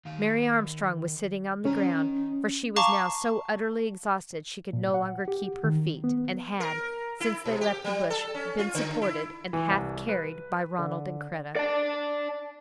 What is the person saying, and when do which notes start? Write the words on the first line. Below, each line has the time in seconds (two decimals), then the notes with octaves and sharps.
Mary Armstrong was sitting on the ground, for she was now so utterly exhausted she could no longer keep her feet, and had, since they left the bush, been supported and half carried by Ronald and Kreta.
0.05 D#3 F5
1.65 D#3 C#4 A#5
2.76 F5 A5 A#5 C#6 D6
4.73 A#2
4.94 F#5
5.28 G4
5.64 D#3
6.04 B3
6.60 A#4
7.20 E4
7.46 B2
7.61 G4
7.84 G3
8.10 A4
8.34 C#4
8.59 F4
8.75 D3
9.02 E4
9.53 E3
9.70 C2
10.09 B4
10.78 D3
11.56 D5 A5